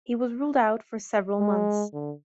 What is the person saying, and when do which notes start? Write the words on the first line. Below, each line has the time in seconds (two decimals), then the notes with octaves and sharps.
He was ruled out for several months.
1.40 G#3
1.94 D3